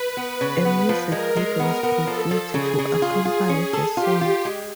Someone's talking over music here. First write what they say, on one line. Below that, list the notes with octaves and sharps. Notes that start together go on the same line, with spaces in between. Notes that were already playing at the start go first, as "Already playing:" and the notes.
A music video was produced to accompany the song.
Already playing: B4
B3
C#3
B3
F3
G#3 A#4
G#3
B3 A#4
B3
F3 A4
F3
C#3 G#4
C#3
F4
F4
C#4
A4
F4 G4
F4
G#3